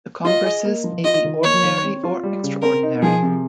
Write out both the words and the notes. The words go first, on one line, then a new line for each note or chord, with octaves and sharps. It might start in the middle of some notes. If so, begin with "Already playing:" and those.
The congresses may be ordinary or extraordinary.
F4 D#5
G#4
A#3
F3
F4 D#5
D#3
A#3 C#5
D#3
C4
F4
G3
C#3
C4 A#4
D#4
F3 G#4
C3